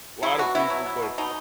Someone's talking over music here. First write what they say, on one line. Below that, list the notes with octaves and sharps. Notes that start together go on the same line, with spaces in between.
lotta people but
F#3 E4
B2 F#4
B3 E4
F#3
B3
B2
B2 D#4